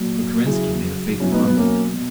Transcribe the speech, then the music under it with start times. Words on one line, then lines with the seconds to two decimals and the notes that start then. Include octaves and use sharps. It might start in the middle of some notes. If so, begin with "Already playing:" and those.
But Kerensky made a fatal blunder.
Already playing: A#2 F#3
0.46 C#3 F#3 E4 G#4
1.20 B2 F#3 C#4 E4
1.32 B3 D#4
1.45 B3
1.57 A#3 C#4
1.94 B2